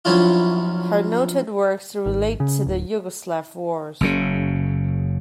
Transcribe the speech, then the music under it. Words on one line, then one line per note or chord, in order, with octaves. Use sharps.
Her noted works relate to the Yugoslav wars.
A#1 F#3 C#4 E4 F4
G#1
C#3
D1
F#1 F#2 C#3